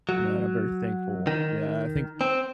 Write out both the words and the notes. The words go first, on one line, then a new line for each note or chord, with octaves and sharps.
you know, and I'm very thankful. Yeah. I think
F#3
D#3
C4